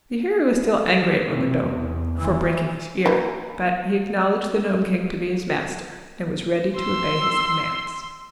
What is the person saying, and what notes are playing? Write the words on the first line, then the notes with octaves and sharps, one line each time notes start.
The Hearer was still angry at Ruggedo for breaking his ear, but he acknowledged the Nome King to be his master and was ready to obey his commands.
C3
E2
E3
E3 A#3
C6 E6